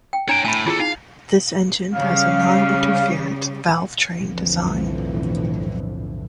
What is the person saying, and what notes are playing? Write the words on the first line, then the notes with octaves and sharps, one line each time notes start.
This engine has a non-interference valvetrain design.
G5
D4 C#5 G5 A#5
A2 G#5 B5
D#2 E4 F4 G#4 A4
D#4 F5
C#3 G3 F5
B1 F2 A2 D3 E3 F3